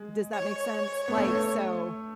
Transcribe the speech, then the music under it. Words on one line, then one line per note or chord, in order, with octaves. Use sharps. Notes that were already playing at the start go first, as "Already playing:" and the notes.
Does that make sense? Like, so,
Already playing: G#3
C#5
B3
A3